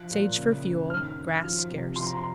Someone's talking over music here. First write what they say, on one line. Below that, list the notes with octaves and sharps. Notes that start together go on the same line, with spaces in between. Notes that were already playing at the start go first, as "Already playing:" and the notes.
Sage for fuel; grass scarce.
Already playing: F3 F#6
A#2
C#3
F#2
D#3 F6
F#2
F3
C3
F3 C6
A#5
C6